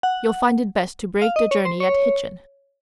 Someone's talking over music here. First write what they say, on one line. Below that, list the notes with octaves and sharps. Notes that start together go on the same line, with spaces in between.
You'll find it best to break the journey at Hitchin.
F#5
F5
D#5
C#5
C5
C#5